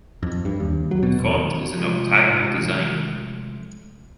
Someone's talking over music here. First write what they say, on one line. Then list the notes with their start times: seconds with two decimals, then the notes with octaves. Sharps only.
The font is an octagonal design.
0.23 F2
0.45 G2
0.60 D#2
0.91 F#3
1.03 B2
1.18 E1
1.77 C3 F3 G#3 A3